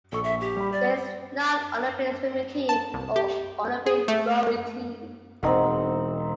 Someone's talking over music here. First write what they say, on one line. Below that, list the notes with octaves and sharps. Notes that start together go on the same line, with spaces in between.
There is not an Olympic swimming team or Olympic rowing team.
A#1 A4 C#6
E5
G4
G3 B5
D5
A5
C2
G4
G#4
A3
E1 C4 D#4 F#5